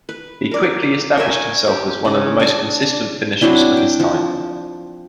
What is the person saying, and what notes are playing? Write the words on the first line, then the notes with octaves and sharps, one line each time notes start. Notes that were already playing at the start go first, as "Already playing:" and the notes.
He quickly established himself as one of the most consistent finishers of his time.
B4
A#4 D5
A#4 C#5 E5 G#5
G4
C#3
D4 A5
F#3 C4 D4 E4
G5
F3